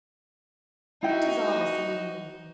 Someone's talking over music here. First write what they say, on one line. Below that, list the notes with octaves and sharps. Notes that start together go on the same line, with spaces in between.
"What does all this mean?"
D#4 E4 F#4 G5